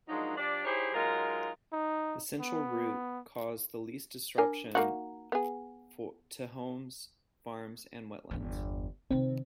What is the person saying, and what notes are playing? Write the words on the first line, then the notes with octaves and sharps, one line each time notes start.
The central route caused the least disruption to homes, farms and wetlands.
F3 F#3 G#3 A#3 D4 D#4
F3 D4 G4 D5
D#4 E4 G4 G#4 C5 C#5
F#3 G#3 D#4 F4 A#4
D#4
B3
D4 A#4 G#5
A#3 D#4 F#4
B3 G#4
G1 E2
C3 D#3 C4